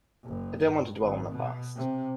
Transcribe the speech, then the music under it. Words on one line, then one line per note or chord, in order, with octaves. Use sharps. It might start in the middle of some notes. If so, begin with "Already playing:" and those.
I don't want to dwell on the past.
F#1
G2
G#1
B2
C3